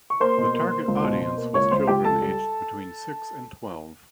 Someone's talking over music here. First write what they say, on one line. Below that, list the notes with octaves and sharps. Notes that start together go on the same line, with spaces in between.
The target audience was children aged between six and twelve.
C#6
A#3 C5 C6
B2
A#3
A#3
C#2
B2
B2
A#3
C#2 C#5 C#6
C#2 C5 C6
C#2 G4 G5
C#2 A4 A5
G3